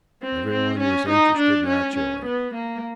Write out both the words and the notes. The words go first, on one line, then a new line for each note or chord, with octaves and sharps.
Everyone was interested naturally.
C4
C4
C#4
D#4
D4
C#4
C#4
B3
A#3